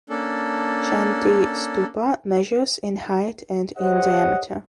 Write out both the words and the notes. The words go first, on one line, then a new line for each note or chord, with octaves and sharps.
Shanti Stupa measures in height and in diameter.
A#3 C#4 D4 A4
G4 C5 C#5 D#5 F#5